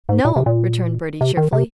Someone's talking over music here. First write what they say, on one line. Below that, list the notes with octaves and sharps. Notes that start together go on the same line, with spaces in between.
"No'm," returned Bertie cheerfully.
G#2
A#2
C3
A#2
C3
D#3
C3